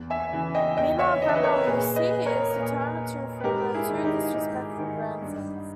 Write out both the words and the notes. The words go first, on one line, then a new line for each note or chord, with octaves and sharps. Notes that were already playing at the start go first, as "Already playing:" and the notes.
Meanwhile, Grandma Lucy is determined to reform her two disrespectful grandsons.
Already playing: E2
E5 G#5
C#3 E3
D#5 G5
E2 D#5 G5
C#5 E5
C#3 E3 D#5
E5
B4 D#5
A#4 C#5
A#2 G#4 B4
B4 D#5
A#4 C#5
A#2
B4
G#2 G4 A#4
E4 G#4
D#3
D#4 G4
G#2
D#3
G2